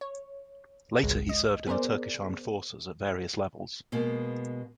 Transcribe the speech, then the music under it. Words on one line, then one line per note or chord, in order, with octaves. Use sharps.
Later he served in the Turkish Armed Forces at various levels.
C#5
G#1 C#2 G#3
D#5
B3 G#4 A#4 C5 D5
B2 G#3 A#3 B3